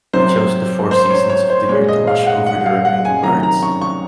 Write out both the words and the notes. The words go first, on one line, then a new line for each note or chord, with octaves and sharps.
He chose the four seasons of the year to watch over the remaining birds.
C3 F#3 C5
C5
C#5
C#5
C5
A#2 G#3 C#5
D#5
F5
F#5
F#5
F5
F#5
G#5
C3 D#3 F#3 A#5
A#5
C#6
C#6